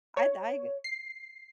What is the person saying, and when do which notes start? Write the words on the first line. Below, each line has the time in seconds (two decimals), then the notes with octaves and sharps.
I I
0.17 C#5
0.84 C7